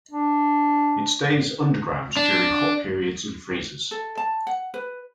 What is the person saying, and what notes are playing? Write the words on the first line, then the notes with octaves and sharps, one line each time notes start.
It stays underground during hot periods and freezes.
D4
D4
A4
A5
F#5
B4